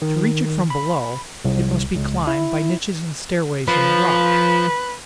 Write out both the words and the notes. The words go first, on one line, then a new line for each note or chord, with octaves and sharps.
To reach it from below, it must be climbed by niches and stairways in the rock.
D#3
B5
C2
C#2
E4
F3 B4